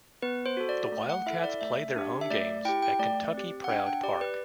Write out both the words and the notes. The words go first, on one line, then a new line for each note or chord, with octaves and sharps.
The Wildcats play their home games at Kentucky Proud Park.
B3 B4
C5
F#4 A4
D5
A3
F#5
E4 A4 E5
D5
A3 E5
D4 G4
E5
A3 D5
E4 G4 G5
G5
A3 D5
C4 G4
F#5
D4 G5
G5
G4 D5
B4